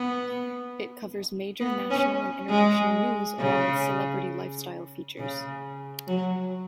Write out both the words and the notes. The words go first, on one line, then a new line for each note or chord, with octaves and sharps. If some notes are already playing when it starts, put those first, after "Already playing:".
It covers major national and international news along with celebrity lifestyle features.
Already playing: B3
B3
C#4
G#3
C#3
C#3
F#3